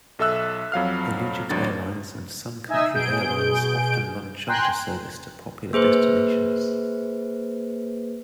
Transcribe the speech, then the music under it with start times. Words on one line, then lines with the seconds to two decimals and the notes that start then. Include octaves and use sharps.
Allegiant Airlines and Sun Country Airlines often run charter service to popular destinations.
0.19 B1 A4 E5 E6 F#6
0.72 F2 F#3 F5 F6
1.49 G#1 D2 F#3 D4 A6
2.68 D#4 D#5 E5 G#5 E6
2.93 B2 G#4 G6 D7
4.48 G5 G#5 A#5 C6 F#6
5.73 A#3 G#4 B4 C5